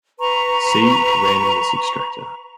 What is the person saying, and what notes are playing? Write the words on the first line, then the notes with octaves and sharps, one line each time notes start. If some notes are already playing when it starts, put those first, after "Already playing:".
"See" randomness extractor.
B4 A#5 C#6